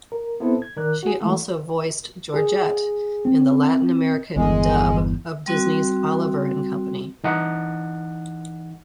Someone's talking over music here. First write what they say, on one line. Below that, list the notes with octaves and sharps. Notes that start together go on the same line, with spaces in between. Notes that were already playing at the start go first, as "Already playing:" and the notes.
She also voiced Georgette in the Latin American dub of Disney's Oliver and Company.
A#4
B3 C4 E4 A4 B4 C5
G#6
D#3 A#4 D5 F#6
F#4 G#4
E3 G#3 A3
G#4
C4
G1 E2 G#3
G3 C4 F#4
E3 D#4 F#5